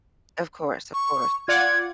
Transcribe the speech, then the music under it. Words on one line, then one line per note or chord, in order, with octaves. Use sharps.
Of course, of course.
C#6
F4 D5 F#5 G#6